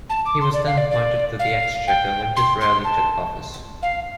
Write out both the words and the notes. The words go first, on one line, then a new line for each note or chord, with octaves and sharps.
He was then appointed to the Exchequer when Disraeli took office.
A5
D6
C6
D5
F5
D5
D5
F5
G5
C6
C6
A5
F5